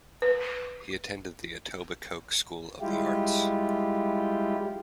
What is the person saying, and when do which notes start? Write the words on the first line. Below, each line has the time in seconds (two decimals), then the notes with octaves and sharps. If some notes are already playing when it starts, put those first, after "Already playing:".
He attended the Etobicoke School of the Arts.
0.22 B4
2.81 G3 G#3 E4 F4 G4